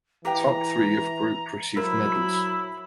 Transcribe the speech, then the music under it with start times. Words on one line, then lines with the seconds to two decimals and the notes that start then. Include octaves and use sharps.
The top three of group received medals.
0.25 E3 G4 B4 G5 A#5
1.77 F#3 E4 A#4 C5 B5